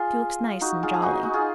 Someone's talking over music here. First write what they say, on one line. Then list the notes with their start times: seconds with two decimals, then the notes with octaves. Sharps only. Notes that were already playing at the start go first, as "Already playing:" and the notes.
"She looks nice and jolly."
Already playing: F4 G#4
0.61 D#4 F#4
0.83 F4 G#4
0.94 G#4
1.02 D#4 F#4
1.23 D#4 F#4
1.33 F4 G#4